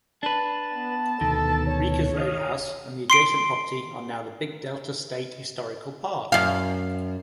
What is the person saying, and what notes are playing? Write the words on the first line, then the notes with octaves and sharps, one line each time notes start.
Rika's Roadhouse and the adjacent property are now the Big Delta State Historical Park.
D4 B4 A5
B3
D2 B2 D#3 A4
C#5
D#5 F5
C6 C7 D7
F#2 F5